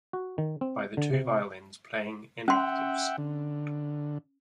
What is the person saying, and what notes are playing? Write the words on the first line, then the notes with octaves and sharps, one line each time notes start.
By the two violins playing in octaves.
F#4
D#3
C4
D3
C3
C#4 E5 F#5 G5 C6
D3